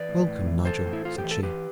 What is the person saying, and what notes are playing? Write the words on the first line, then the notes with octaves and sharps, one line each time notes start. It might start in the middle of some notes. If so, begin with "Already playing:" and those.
"Welcome, Nigel!" said she.
Already playing: E3 B4 D5
A2
A2
E3
E3 A4 C5
A2
E4
A2 F4
G4
E3
A4
E3 G4 B4